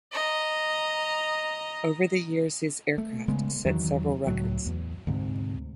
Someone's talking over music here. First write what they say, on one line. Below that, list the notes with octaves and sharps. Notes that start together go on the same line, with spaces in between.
Over the years, his aircraft set several records.
D#5 A#5
A3
C#3 G#3 B3
E2 D#3 E3 F#3
C#2 A2 F#3
E2
D2 G#2 C3